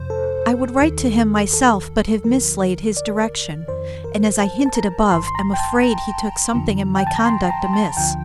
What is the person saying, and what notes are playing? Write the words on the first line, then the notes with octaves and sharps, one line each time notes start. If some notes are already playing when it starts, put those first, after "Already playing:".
I would write to him myself, but have mislaid his direction; and, as I hinted above, am afraid he took something in my conduct amiss.
Already playing: F2 C3 F3 C5
A4
D#2 D#3
A4
D2 D3 F3 A#4
D5
F2 D#3 C5
A#4
A5
A5
A#5
G1 G2 D#3 C6
C6
A#5
G5
A5
A#5
F2 D3 F3
G5
A5
A#5
C6
A#5
A5
D2 D3 F3 G5